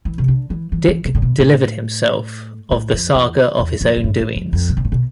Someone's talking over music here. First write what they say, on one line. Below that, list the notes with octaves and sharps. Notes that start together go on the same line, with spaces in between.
Dick delivered himself of the saga of his own doings.
E3
C3
D3
E3
E3
E3
C3
A2
B2
A2
A2
F2
E2
E2
F2
F2
G2
A2
F2
F2
C3
B2
A2
B2